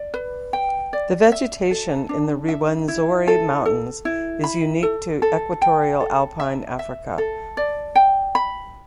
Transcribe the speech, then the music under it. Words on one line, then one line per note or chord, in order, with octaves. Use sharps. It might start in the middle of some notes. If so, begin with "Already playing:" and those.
The vegetation in the Rwenzori Mountains is unique to equatorial alpine Africa.
Already playing: D5
B4
G5
D5
E5
A4
D4
E5
E4
A4
A4
E4
B5
A4
A4
G5
A4
E5
E5
A4
D5
G5
B5